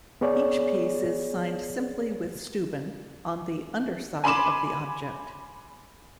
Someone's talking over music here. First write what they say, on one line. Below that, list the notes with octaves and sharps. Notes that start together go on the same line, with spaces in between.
Each piece is signed simply with Steuben on the underside of the object.
B3 G#4 C#5 D5
G#5 B5 C6 D6 E7